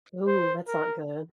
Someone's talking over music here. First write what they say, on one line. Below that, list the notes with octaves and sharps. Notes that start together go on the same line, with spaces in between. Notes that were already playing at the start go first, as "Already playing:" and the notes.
Ooh, that's not good.
C5
A#4